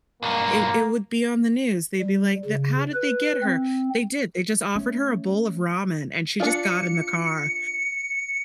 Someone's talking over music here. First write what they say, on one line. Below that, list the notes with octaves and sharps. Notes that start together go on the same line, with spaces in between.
it it would be on the news. They'd be like, "That how did they get her? They did. They just offered her a bowl of ramen and she just got in the car."
B1 G2 A#3
G3
C#3
B4
C4
A3 C#4
D4 F4 C#7